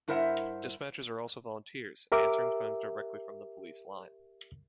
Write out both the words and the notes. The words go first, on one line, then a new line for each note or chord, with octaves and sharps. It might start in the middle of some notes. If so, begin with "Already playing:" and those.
Dispatchers are also volunteers, answering phones directly from the police line.
G2 E4 A#4 C5 E5 F#5
G4 A#4 E5 D6